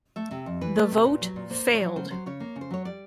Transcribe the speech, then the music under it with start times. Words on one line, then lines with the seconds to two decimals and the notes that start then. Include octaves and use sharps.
The vote failed.
0.16 A3 E5
0.31 C3
0.46 F2
0.61 E3 B4
0.76 A3
0.92 C3
1.05 A#2
1.21 F#3
1.36 A#2
1.50 A#3 C5
1.67 A#2
1.74 C#5
1.82 F#3
1.96 C#3 C5
2.10 F#3 C5
2.26 C#3 C#5
2.40 A#3
2.56 C#3
2.61 C5
2.71 F#3 C#5
2.85 G3 D5